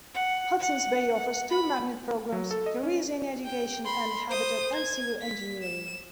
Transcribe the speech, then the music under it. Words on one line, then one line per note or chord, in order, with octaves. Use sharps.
Hudson's Bay offers two magnet programs-Careers in Education, and Habitat and Civil Engineering.
F#5
F#5
B5
F#3
A4
D#5
C#4
G5
B5 C6
C5 D#6
G#6
B6
E7